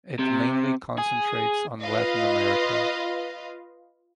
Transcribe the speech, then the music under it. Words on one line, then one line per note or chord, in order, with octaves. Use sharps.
It mainly concentrates on Latin America.
C3
G#4
F4 B4 D#5 F5